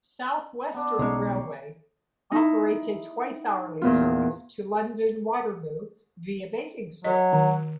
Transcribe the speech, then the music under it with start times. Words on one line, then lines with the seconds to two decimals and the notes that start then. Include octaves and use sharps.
South Western Railway operates a twice-hourly service to London Waterloo via Basingstoke.
0.74 B3 D4
0.99 B1 C#3 G#3 C#5 A#5 C6
2.32 D#4 E4
3.82 E2 A#2 B3 F4
7.05 F#3 D#5
7.33 D#3